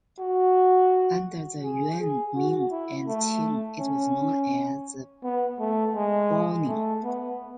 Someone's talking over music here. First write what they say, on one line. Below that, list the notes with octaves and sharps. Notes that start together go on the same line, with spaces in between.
Under the Yuan, Ming, and Qing, it was known as Baoning.
F#4
G#4
G#4
F#4
E4
A3
C#4
B3
A3
G#3
A3
B3